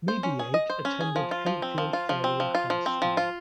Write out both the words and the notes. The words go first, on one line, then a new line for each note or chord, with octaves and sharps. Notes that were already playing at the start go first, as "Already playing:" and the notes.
Mediate attended Hempfield Area High School.
C5
C#4
G#4
D#5
C5
C#4
G#4
F3
F4
F3
C4
F3
F4
F3
C4
F3
F4
F3
C4
F3
F4